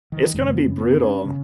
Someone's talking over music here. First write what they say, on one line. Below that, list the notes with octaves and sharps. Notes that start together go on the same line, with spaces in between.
It's gonna be brutal.
D#3
F#2 C#3 G#3
B3
C#4
B3
C#4
C#3